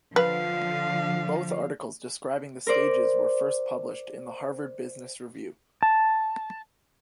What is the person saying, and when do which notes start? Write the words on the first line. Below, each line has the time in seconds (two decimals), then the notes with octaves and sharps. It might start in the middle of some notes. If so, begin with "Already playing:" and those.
Both articles describing the stages were first published in the "Harvard Business Review".
0.16 D3 F3 B4 F5
2.67 A#4 C5 D5
5.83 A5